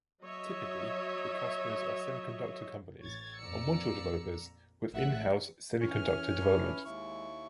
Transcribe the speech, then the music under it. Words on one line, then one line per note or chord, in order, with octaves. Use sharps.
Typically, the customers are semiconductor companies or module developers with in-house semiconductor development.
F#3 C#5 D#5 E5
A1 C#5 G#6 A6
F2 A#2 D5 A#5 E6 C#7
A1 E5 F#5 F#6
E3 C#4 G#5 F6
D2 D4 E4 B4
D#2 G#3 E4 C#6